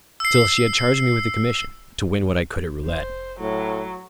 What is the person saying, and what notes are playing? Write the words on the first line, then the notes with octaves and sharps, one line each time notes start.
Still, she had charged me with a commission--to win what I could at roulette.
E6 C7
F1 C5
A2 F#3